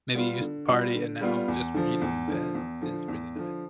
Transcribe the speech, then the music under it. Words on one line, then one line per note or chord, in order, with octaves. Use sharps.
Maybe you used to party and now just reading in bed is really ni
G3 B3 F4
D3
G3 B3 F4
D3
G3 B3 F4
E2
D3 F3
E2
D3 F3
E2
D3 F3
E2
D3 F3